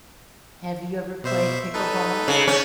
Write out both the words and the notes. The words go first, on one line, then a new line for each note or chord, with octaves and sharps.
Have you ever played pickleball?
B2 C5 E5
D#4 A4 B4
C#3
C#4 E6 G6 A6